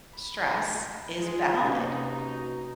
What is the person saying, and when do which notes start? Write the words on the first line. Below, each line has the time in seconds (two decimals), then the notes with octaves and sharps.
stress is valid.
0.13 B5
1.21 G#3 F4
1.62 C3 A#3 C#4 D#4 F#4 G4 B4 G#5